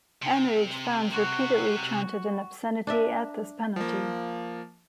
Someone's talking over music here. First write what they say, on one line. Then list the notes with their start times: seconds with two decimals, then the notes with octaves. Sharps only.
Enraged fans repeatedly chanted an obscenity at this penalty.
0.23 C3
1.14 F#4
2.87 D4 D5 E5
3.76 F3 A#3